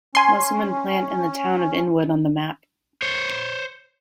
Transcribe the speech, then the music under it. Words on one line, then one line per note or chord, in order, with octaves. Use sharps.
Musselman plant and the town of Inwood on the map.
C#4 G#5 C6
C5 C#5